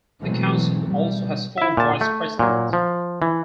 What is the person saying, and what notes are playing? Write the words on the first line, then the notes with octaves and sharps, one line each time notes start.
The council also has four vice presidents.
B2 E3 F#3 G#3 A3 C4
B2 G3
E4 E5
A#2 A5
A3
A#2 F#3
F3
E3